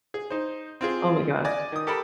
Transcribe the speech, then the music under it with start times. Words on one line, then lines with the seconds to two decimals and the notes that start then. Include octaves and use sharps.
Oh my gosh.
0.14 G#4
0.30 D#4 C5
0.81 C4 F4 G#4
1.45 D5 D#5 G#5
1.72 D#3 D#6
1.87 G4 A4 A#4 A5 B5